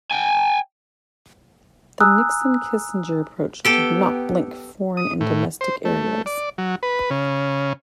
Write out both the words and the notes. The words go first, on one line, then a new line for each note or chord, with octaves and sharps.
The Nixon-Kissinger approach did not link foreign and domestic areas.
G5 G#5
G#5 A#5 D#6 E6 F#6
B3 G4 A4 G5
D#6
A2
C5
A3
D5
F#3
B4
C#3